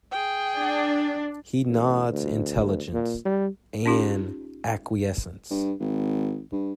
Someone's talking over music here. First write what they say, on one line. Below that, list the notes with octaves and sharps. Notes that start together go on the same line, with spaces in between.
He nods intelligence, and acquiescence.
G#4 G5
D4
A1
D2
D2
A#2
G3
C#4 D#4 F4 G4
G2
G#1
G2